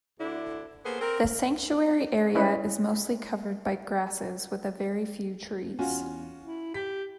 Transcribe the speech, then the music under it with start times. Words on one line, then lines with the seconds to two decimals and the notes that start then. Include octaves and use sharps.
The sanctuary area is mostly covered by grasses with a very few trees.
0.20 D2 D3 D4 E4
0.85 A#3 B3 G#4 A4 C5
1.01 C4 A#4
2.35 G#3 C#4 E4 B4
5.79 E2 C#4 F4 F#4
6.40 E4
6.74 G4 B6